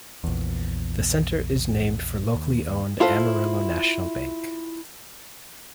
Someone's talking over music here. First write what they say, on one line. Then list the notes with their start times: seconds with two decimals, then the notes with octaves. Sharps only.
The center is named for locally owned Amarillo National Bank.
0.24 A#1 E2
2.35 D#2
3.00 E4 F4 A4 B4 C5